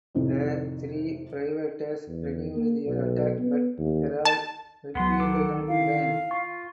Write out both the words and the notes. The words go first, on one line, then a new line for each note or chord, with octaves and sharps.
The three privateers renewed their attack but "Herald" repelled them again.
F2 A2 C3 D#3
E2
A#3
B1
B3
D#2
A5
C#2 F#3 B3 F#5 C6
D#3 A4 D6
D#4 E4 F5
F4 C#6